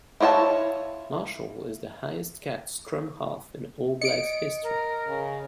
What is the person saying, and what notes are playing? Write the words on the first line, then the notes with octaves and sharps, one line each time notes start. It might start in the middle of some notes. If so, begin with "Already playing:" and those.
Marshall is the highest capped scrum half in All Blacks history.
E4 F4 C#5 F5 A5
D#5 C#7 D7
A#4
C#3